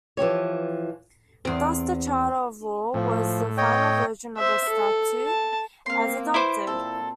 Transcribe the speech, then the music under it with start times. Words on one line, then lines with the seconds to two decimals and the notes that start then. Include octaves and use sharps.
Thus, the Charter of Law was the final version of the statute as adopted.
0.17 E3 F3 G4 C#5
1.45 E2 C4
2.94 A2 F3
3.57 C#5 D#5 G5
4.38 C5 E5
4.68 A4
5.26 A5
5.86 A#3 C4 F5 C6
6.34 E4 B4 C5 D6
6.67 A#2 C4 A4